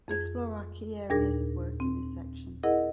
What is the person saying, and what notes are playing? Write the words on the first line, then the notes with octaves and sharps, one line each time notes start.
Explore our key areas of work in this section.
F2 G#4 G#6
D#2 A#2 D4 G#4 A#4 A#6
C4
E4 G#4 A#4 D#5 F#5